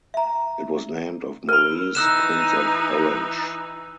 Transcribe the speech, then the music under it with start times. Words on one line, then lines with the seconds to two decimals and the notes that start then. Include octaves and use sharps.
It was named for Maurice, Prince of Orange.
0.14 E5 A#5
1.49 A#4 B5 F6
1.95 E3 D#4 E6 F#6 E7